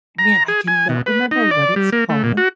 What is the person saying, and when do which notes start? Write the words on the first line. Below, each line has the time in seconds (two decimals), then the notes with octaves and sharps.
man, I cannot remember what it's called,
0.19 A#5
0.48 G#4
0.68 G#5
0.89 B2
1.06 B4
1.31 D#4
1.51 D5
1.76 G3
1.93 A#3
2.09 A3
2.24 A#2
2.37 F#4